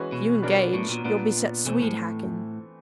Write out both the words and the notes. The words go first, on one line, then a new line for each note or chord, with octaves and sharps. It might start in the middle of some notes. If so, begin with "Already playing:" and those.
If you engage, you'll be set swede-hacking.
Already playing: E3 G#3 C#4 F#4 B4
B2
B3 D4 F#4 A#4 C#5
A2
A#2
A#2 B3 D4 F4
B2 E3 A3 C4
A2